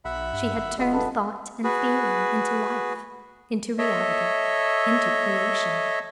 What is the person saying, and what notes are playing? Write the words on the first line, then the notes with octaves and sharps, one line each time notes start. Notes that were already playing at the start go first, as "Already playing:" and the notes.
She had turned thought and feeling into life, into reality, into creation.
B1 E5 F#5 B5
G2
G#1
D#1 G#3 B3 F4
G2 A4 B4 E5
F#4 G#4 B4
A4 C#5 D#5 E5